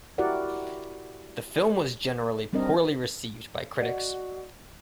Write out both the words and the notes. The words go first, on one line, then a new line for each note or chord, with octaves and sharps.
The film was generally poorly-received by critics.
E4 F#4 G4 A#4 D5 F#5
G3 C4 D4 A#4 D#5
F#4 D5 D#5 F#5